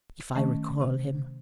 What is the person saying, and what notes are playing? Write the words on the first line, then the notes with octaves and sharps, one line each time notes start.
If I recall him!
D#3 A3 C#4
C3